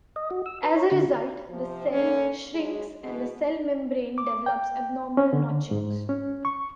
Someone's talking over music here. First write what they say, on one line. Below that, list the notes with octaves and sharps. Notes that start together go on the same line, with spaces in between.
As a result, the cell shrinks and the cell membrane develops abnormal notchings.
D#5
F#4
E6
B4
C#5
D3
C3 F3
D3 A#3 C#4
F#3 G#3 D4 G#4
B2 D3 E3 G#3 B3
D6
G5
C#4
D3
G#2
C#4
C#6